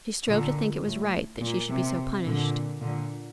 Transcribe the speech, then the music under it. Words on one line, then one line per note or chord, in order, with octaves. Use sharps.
She strove to think it was right that she should be so punished.
A#2 D3
A2
A#2
C3
A#2 D3
A#2 D3